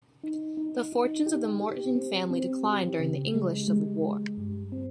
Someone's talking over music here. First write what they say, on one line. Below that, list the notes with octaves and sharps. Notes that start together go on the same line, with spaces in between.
The fortunes of the Moreton family declined during the English Civil War.
D#4
D#4
D#4
G4
G4
C4
C4
G4
C#3
G#3
G#3
G#3
G2
C4